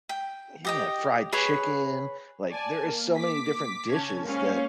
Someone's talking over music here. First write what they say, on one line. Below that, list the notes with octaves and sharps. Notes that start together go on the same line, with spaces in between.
Yeah, fried chicken, like there is so many different dishes that
G5
G4 D#5 G5
G#4 B4 C#5
D5 G#5 A5
A#3
D6 B6
C#3 C#4 A5 G#6
G#3 A#3 C4 C#4 F5